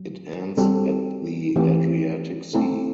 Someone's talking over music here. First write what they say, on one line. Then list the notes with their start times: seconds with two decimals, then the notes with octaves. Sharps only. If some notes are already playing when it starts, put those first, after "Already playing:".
It ends at the Adriatic Sea.
Already playing: F#3
0.57 G3 C4 F#4 A4
1.56 E3 A3 C4 G4
2.53 A3 C4 E4 A4